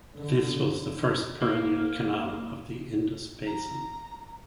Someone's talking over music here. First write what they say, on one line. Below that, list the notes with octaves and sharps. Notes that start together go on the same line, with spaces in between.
This was first perennial canal of the Indus Basin.
D3
D3
A#3
A#5